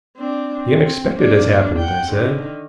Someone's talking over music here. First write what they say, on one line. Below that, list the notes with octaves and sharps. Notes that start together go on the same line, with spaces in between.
"The unexpected has happened," I said.
C4 D4
C4
A#3 D4
F#5 G5
D3 D#3